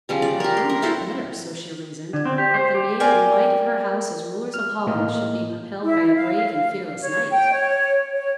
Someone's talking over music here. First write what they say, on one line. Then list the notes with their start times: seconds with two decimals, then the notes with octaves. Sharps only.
But how much better, so she reasoned, that the name and might of her house as rulers of Holland should be upheld by a brave and fearless knight.
0.09 C#3 F3 G3
0.22 D5
0.40 G4 A#4
0.57 C6
0.70 A#4
0.82 E4 F#4 A4 C5
2.13 D3
2.25 C4
2.38 G4
2.54 C5
2.75 G4
3.00 A#4 D5 G5 G#5
4.54 F6
4.87 A2 A#3 D#5 F6
5.82 E4
6.14 F5
7.01 C#5
7.30 G5
7.52 C#5
8.13 C#5